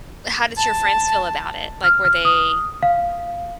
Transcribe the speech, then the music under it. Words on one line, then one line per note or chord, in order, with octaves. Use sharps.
How did your friends feel about it? Like, were they,
A5
F6
F6
D#6
F5